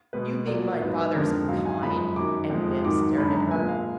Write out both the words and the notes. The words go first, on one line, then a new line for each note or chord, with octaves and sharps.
"You think my father's KIND?" And Bibbs stared at her.
B2 G#3 B4
A#2 F#3 D5
G#2 F#3 B4
B4
F2 D3 F3 G#3 A#4
G#2 F#3 F5
G#5
F#2 F3 G#3 B5
F#2 D#3 F#3 D6
F2 F3 G#3
G#2 D#3 F#3 D6
F#2 D3 G#3 B5
A#5
A#2 G#3 G#5
F5